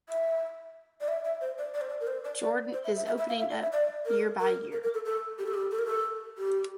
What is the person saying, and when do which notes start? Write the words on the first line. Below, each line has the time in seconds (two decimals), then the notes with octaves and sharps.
Jordan is opening up year by year.
0.09 E5
1.01 D5
1.08 E5
1.25 E5
1.41 C5
1.58 D5
1.74 D5
1.81 C5
1.89 D5
2.01 A#4
2.07 C5
2.24 D5
2.41 D5
2.73 C5
2.84 E5
2.96 E5
3.06 E5
3.18 E5
3.29 F5
3.40 E5
3.50 D5
3.62 E5
3.72 D5
4.06 A#4
4.40 A#4
4.72 A#4
4.84 A#4
4.94 A4
5.05 A4
5.39 G4
5.46 A4
5.54 G4
5.71 A4
5.79 A#4
5.86 A4
6.38 G4